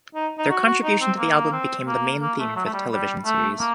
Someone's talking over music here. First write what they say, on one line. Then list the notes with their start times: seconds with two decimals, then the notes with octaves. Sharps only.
Their contribution to the album became the main theme for the television series.
0.15 D#4
0.38 D#4
0.50 F#4
0.66 F#4
0.84 D#4
1.01 C4
1.18 A#3
1.35 A#3
1.53 C4
1.87 A#3
2.22 A#3
2.39 A3
2.56 F#3
2.65 A3
2.73 G3
2.91 G3
3.26 A3
3.59 A#3